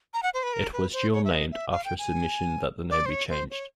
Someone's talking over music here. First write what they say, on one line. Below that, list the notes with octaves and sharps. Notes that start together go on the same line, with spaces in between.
It was dual-named after a submission that the name be changed.
A#5
F#5
C5
B4
A#4
B4
C5
C#5
E5
D#5
E5
F5
G5
G#5
D5
C5
C#5
C5
C#5